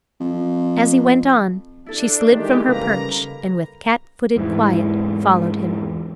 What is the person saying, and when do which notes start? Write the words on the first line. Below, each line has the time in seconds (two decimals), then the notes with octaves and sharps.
As he went on, she slid from her perch and with cat-footed quiet followed him.
0.20 F2
1.86 D4 E4 A4
2.28 D#3 E3 G#3 G4
2.68 C#3 G3 A#3 B4 A#5
4.36 E2 G#2 E3